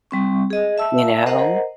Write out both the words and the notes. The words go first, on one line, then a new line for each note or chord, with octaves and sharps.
you know?
G3 C4 C#6
G#4 D#5
E5 A5 E6
A#4 C5 D#5 F#5 A#5